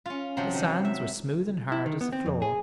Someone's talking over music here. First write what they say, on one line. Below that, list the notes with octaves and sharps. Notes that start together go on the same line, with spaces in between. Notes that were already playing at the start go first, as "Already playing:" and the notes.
The sands were smooth and hard as a floor.
C#4 F4
C3 F3 F#3
D#3
E5
E4
D#3
B3
C4
F2
G#4